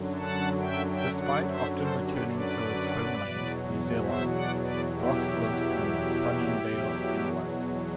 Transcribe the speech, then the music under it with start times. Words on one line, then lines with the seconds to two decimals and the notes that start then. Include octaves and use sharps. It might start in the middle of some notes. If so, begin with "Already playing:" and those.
Despite often returning to his homeland New Zealand, Ross lives in Sunningdale, England.
Already playing: F#2 D3 F#3
0.18 F#5 A5
0.62 E5 G5
0.90 E5 G5
1.18 D5 F#5
1.47 C5 E5
1.75 A4 C5
2.04 G4 B4
2.32 B4 D5
3.18 E2 B2 F#3
4.03 C5 E5
4.31 D5 F#5
4.60 B4 D5
4.88 E4 G4
6.59 E2 B2 F#3